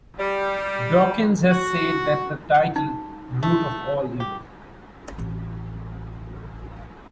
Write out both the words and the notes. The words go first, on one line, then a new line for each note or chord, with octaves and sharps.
Dawkins has said that the title The Root of All Evil?
G3
F#4
D#4
A3
G4
A1 C4